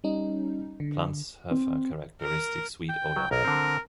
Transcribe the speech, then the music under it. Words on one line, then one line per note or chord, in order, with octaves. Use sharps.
Plants have a characteristic sweet odor.
G3 C#4 D#4
D3
C4
A#4
G5
F#3
B1 A#4
D3 C4